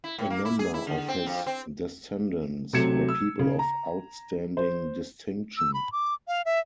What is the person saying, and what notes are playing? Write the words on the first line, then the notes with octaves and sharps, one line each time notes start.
A number of his descendants were people of outstanding distinction.
E4
A2
A#3
E4
G#4
E4
D3
C4
F2
C4
C3 F#3 A3 G#6 C#7 E7
E6
C#3
A#5
C5
E6
B5
D6
F5
E5